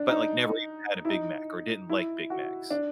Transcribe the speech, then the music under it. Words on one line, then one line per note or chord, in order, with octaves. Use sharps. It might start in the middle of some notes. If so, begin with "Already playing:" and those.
but, like, never even had a Big Mac, or didn't like Big Macs.
Already playing: D4
D#4
E4
D#4
E4
F#4
D4